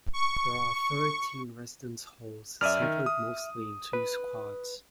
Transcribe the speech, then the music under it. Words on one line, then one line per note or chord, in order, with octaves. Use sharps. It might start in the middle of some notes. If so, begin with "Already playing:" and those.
There are thirteen residence halls, centered mostly in two quads.
C#6
F#2 D5 E5 F6 D#7
D#3
D#6
B4